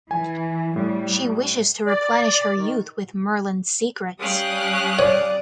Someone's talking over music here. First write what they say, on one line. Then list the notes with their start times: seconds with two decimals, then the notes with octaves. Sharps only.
She wishes to replenish her youth with Merlin's secrets.
0.11 E3 G#5
0.76 A2 G3
1.87 D5
2.56 D#3
4.19 G3 C#4 F5 G5 D#6 F#6
4.99 C#5 D5